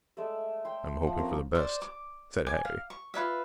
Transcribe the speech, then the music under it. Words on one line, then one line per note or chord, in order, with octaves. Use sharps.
"I'm hoping for the best," said Harry.
G#3 A3 D5 E5
C#5 G5 C6
F3 F#5
C4 C#4 A#4
C5 D5
D6
G#5 D6
F5
C#6
F4 B4 C#5 E5